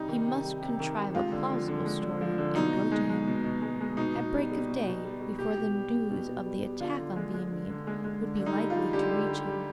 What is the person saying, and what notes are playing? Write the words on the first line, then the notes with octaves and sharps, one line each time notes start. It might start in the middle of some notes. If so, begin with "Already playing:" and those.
He must contrive a plausible story, and go to him; at break of day, before the news of the attack on Viamede would be likely to reach him.
Already playing: C3 G3 D#4
D#3
C3
G3
C3
D#3
C3
G#3 F4
D3
F3
D3
G#3
D3
F3
D3
B2 D#4
B2
G#3
G#3
B2
B2
G#3
G#3
B2 D#4
B2
G3
G3
B2
B2
G3
G3
B2 G4
B2
G3
G3
B2
B2
G3
G3
D3 F4
D3
G#3
G#3
D3
D3
G#3
G#3
D3
D3
D#4
G3
F4
G3
D3 G4
D3
G3
G3